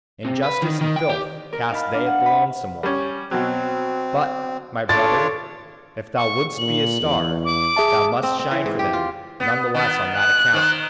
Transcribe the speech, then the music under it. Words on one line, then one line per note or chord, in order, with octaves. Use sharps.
Injustice and filth cast they at the lonesome one: but, my brother, if thou wouldst be a star, thou must shine for them none the less on that account!
C3
B4
D#3
D#3
G5
G4
A#4
D#4 F5 A5 B5
D4 F5
F#5
B5
G3 C#4
B2 F#3 C4
D4 F4 A4 C#5 D6 A6
C#6
A#2 F#7
E2
D6
G#4 E5 A5
C4
C4
E3
G#2
G4
F4
B3
D#3 B3
F#6
D#3 D#4 C5